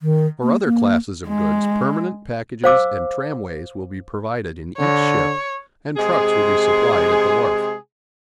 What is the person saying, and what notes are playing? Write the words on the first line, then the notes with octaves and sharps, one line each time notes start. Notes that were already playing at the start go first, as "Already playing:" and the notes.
For other classes of goods permanent packages and tramways will be provided in each ship, and trucks will be supplied at the wharf.
D#3
A#3
A#3
G#3
C5 F5 D6 E6
D3 C#5
C3 G#3 G#4